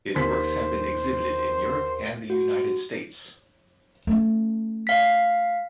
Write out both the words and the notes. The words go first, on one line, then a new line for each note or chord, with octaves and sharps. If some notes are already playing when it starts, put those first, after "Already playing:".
His works have been exhibited in Europe and the United States.
D#2 C5 B6
F#4
A3 C#4
F5 B6